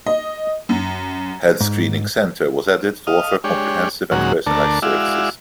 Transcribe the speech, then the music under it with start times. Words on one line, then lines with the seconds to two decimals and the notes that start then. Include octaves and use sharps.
Health screening centre was added to offer comprehensive and personalized services.
0.06 D#5
0.69 F#2
1.61 G#2
3.07 D#5 F5
3.44 G#3 D4 G4 C#5
4.11 D#2 A#2 F#3 G#3 C#4 F#4
4.46 D2 A3 D4 A#4 A5
4.82 G#3 E4 F#4 D5 E5 F5